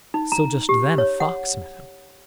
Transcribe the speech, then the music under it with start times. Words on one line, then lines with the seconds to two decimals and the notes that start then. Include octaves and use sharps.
So just then a Fox met him.
0.14 D#4
0.32 A#5
0.69 G4
0.98 C#5
1.20 F#5